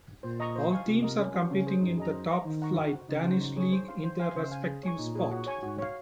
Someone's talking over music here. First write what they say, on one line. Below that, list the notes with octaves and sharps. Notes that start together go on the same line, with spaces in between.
All teams are competing in the top-flight Danish league in their respective sport.
A#2 C5
D#5 A#5 C#6
C5
F5 G#5 C#6
C3 F4
A#4 D#5
C#4
F#4 C5 F5
C#3 C#4
G#4 C5
F#2 D#4
G#4 D#5 A#5
C5
D#5 A#5
D#3 C5
F#5 A#5 C#6
F#4
C5 F#5
C#3 D#4
F#4 C5 F#5 C6
D#4
G#4 C#5 G#5 C#6
C5
F5 C6
C5
F5 G#5 C6
C#3 C5
F5 G#5
G#4
C#5 G#5 C#6
A#2 D#4
G#4 C#5
F#4
C#5 G#5 C#6
G#2 F#4
C#5 F5